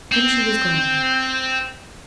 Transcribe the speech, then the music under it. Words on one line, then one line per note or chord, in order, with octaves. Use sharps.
Then she was gone.
C4 G6